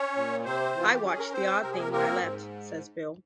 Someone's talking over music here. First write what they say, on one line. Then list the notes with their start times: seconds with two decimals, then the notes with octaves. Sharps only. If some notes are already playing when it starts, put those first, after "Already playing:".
"I watched the odd thing when I left," says Bill.
Already playing: C#4 C#5
0.16 A#2
0.45 C3 C4 C5
0.75 E3 F4
0.93 G4
1.04 C#4 G#4
1.19 A#4
1.33 C4 C5
1.62 C3 A#4
1.72 G#4
1.79 A#3 A#4
1.92 A#3 C4 A#4
2.21 G#2